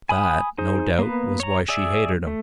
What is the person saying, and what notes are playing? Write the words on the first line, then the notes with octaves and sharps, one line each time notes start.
That, no doubt, was why she hated him.
G#5 B5 D#6
D#4 G#4 C5
A#3 B3 B4
C#5 A#5
G#4 D5 E5
A3